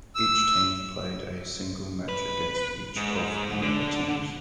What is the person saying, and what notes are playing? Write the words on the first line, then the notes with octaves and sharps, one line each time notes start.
Each team played a single match against each of the other teams.
E6
B4
G#2
D3